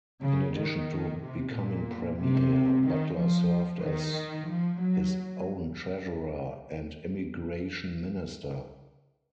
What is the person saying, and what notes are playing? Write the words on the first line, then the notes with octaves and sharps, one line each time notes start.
In addition to becoming Premier, Butler served as his own Treasurer and Immigration Minister.
C#3
D#3
C3
A#2
C3
D#3
F3
D#3
F3
F#3